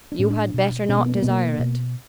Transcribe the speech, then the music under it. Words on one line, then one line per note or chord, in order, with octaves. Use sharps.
"You had better not desire it."
D4
A2 C#4
D4
B2
B2 C#4
A#3
B3
A#3
B2 B3
A#3
B2